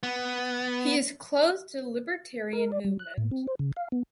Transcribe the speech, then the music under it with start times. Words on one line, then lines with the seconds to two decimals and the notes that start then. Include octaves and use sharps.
He is close to the libertarian movement.
0.03 B3
2.53 A#4
2.72 D5
2.85 G3
2.99 F#6
3.18 A2
3.31 C4
3.47 C5
3.59 C#3
3.77 F5
3.92 B3